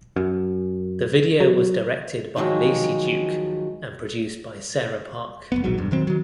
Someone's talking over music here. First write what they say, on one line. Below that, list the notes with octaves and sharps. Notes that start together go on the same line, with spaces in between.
The video was directed by Lacey Duke and produced by Sarah Park.
F#2
F#3
D#3 F3 F#3 G#3
F1 D#2 B3
D#1 A#1 G#2 F#3
E1 G2
D#1 D#3 F#3 C4
D#3 F#3